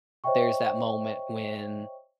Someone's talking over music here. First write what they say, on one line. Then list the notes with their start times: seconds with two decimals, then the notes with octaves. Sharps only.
There's that moment when
0.24 C5 C#5 D#5 E5 G5 C#6